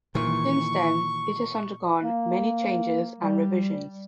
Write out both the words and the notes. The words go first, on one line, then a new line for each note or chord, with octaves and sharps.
Since then, it has undergone many changes and revisions.
A#2 D#3 E3 C#6
A#3
G3